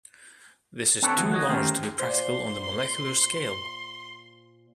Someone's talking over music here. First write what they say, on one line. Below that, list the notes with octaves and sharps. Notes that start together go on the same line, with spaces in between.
This is too large to be practical on the molecular scale.
C4 D4 A4 B4 C#5
D2 E3 F#3 B3
F#4 C#5 D#5
D#3 A3 C#4 G4 A#4 C5
A#2 C5 C6